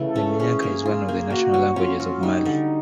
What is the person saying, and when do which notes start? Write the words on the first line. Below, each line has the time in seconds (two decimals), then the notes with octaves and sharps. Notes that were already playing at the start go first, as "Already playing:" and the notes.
Minyanka is one of the national languages of Mali.
Already playing: C#3 E3 A3
0.09 A4
0.16 C#4
0.39 C#4 G#4
0.62 A#3
0.85 F4 G#4
1.08 A#3
1.30 A#3 F#4
1.54 F#3
1.76 C#4 F4
2.00 F#3
2.22 G3 D#4
2.45 D3